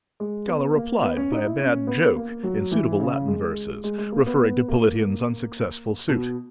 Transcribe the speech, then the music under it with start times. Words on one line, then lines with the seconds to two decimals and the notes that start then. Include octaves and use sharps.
Scala replied by a bad joke, in suitable Latin verses, referring to Politian's unsuccessful suit.
0.20 G#3
0.48 B3
0.75 A#3
1.03 B3
1.17 C#4
1.32 D#4
1.45 E4
1.60 C#4
1.87 B3
2.16 A#3
2.43 F#3
2.71 E3
3.00 C#3
3.28 G#3
3.84 G#3
3.98 G#3
4.12 A#3
4.27 B3
4.40 B3
4.68 A#3
6.09 B2